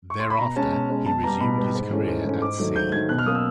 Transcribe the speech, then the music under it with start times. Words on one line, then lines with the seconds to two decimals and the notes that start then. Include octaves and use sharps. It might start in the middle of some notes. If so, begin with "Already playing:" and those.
Thereafter he resumed his career at sea.
0.10 C#6
0.20 C6
0.30 B5
0.39 B2 A#5
0.56 G#3 C#4 A5
0.73 B2 A5
0.90 G#3 C#4
1.06 B2 A5
1.24 G3 B3 A#5
1.40 B2 B5
1.57 G3 B3
1.75 G#2
1.91 E3 A3 C#4
2.08 G#2
2.25 E3 A3 C#4
2.42 G#2 D6
2.59 D#3 F#3 A3
2.76 G#2 G6
2.92 D#3 F#3 A3 G#6
3.09 B2 F#6
3.18 F6
3.26 F#3 A#3 C#4 D#6
3.35 E6